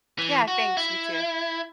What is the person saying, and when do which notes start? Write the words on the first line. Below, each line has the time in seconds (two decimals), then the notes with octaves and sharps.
Yeah, thanks, you too.
0.18 E3
0.48 F#4
0.77 E4